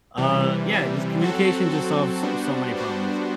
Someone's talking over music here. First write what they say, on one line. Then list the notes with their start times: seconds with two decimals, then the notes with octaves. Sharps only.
Uh, yeah, just communication just solves s so many problems.
0.17 C3 E3 G3
0.69 C3 E3 G3
1.21 F#3 C4 F#4 A4
1.72 F#3 C4 F#4 A4
2.23 G3 B3 D4 F#4 C5
2.74 G3 B3 D4 F#4 C5